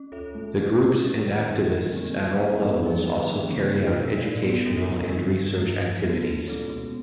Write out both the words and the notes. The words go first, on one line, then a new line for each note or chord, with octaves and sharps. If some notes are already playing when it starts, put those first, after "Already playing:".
The groups and activists at all levels also carry out educational and research activities.
Already playing: C#4
F4 A4 C#5 E5
A2 G#3
G#2
A2
C#4 E4 G4 B4
G#2 A3
G#2 C4
E4
A2 D#3
G#3 C4 D#4
A#2 D3
G3 C4
G3
C4 E4 G4
E3 B3
F3 D#4 G#4
D#3 E3
F#3 A#3 C#4
C#3 C4
E4 A4
B2 D#4
A#2 G4 A#4 D5 F5
A2 B3
G#2 D4 F#4 A4
G2 D3
F#2
G2
G3 C4 D#4
G2
E3
A3 D4
F3
G#3 B3 E4 A4
G#2 G#3
A#2 C#4 E4 A4 C#5
B2 B3